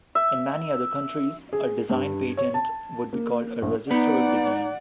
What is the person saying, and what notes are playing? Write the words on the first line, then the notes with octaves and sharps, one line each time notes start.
In many other countries, a Design Patent would be called a "registered design".
E5
G#4
G2
C#5
A5
A#3
A#1
B3 D#4 D5 F#5